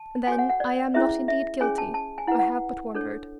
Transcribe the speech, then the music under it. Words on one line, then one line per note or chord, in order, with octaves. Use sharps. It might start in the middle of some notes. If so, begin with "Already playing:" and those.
And then, I am not indeed guilty: I have but wandered.
Already playing: A5
F#4 A4 C#5 G#5
F#5
F#5
D5
C#4 E4 G#4 B4 E5
E5
C#4 G#4 C#5 G#5
A5
A5
G#5
E4 B4 F#5
F#5
D4 A4 C#5